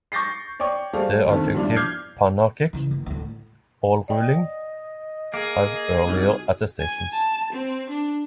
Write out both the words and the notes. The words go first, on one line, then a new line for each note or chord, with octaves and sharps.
The adjective "panarchic" "all-ruling" has earlier attestations.
C#6 G6 A6 A#6 C7
C#5 D5 G5 C#6
G3 A3 G#4 C5 F5
D2 D#3 A3 C4
G2 A#2 F3 D4 E4 F4
D6 F6 G6 G#6 C7
C#3 E3
F#1
D2 A2
D5 D#5 G5
A#3 G#4
C2 D#4 F#4
G#5
A5
C4
D4